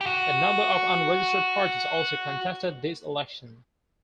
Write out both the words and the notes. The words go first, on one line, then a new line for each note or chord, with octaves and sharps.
A number of unregistered parties also contested this election.
G4
F#4